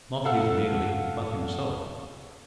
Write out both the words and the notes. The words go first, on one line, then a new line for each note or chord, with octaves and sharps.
Not his merely, but himself.
A4 F5 F#5 E6